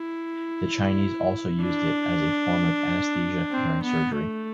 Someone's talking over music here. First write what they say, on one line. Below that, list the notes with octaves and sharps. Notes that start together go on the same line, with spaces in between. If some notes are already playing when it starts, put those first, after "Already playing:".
The Chinese also used it as a form of anesthesia during surgery.
Already playing: E4
D4
C4
B3
A3